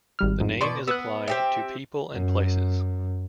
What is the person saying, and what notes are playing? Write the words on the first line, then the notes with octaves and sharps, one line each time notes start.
The name is applied to people and places.
G#1 G3 F6
F2 G#2
B2 D5 C6 C#6
B3 E6 F#6
C4 G4 E5
F#2